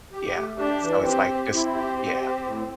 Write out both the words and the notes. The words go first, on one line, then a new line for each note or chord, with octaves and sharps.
Yeah. So it's like just yeah.
G4
A3
D4 G4
E3
C4 G4
G4
C4 E4
G4
G4
G4
A2